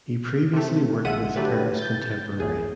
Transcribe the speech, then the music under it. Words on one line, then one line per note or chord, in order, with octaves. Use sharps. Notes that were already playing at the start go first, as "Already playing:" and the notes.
He previously worked with Peris Contemporary.
C3 A3
A#1 G#3 F4 E5 F#5 D#7
D3 F#3 A3 G4 B4
G6 A6
A#1 E2 A2 G#4